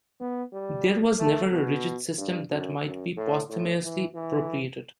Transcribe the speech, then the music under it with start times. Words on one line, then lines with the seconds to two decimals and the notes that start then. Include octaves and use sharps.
There was never a rigid system that might be posthumously appropriated.
0.20 B3
0.53 G3
1.19 A3
1.52 B2
2.18 G2
2.50 F#2
2.84 F#2
3.17 A2
3.49 A2
3.83 E3
4.15 E3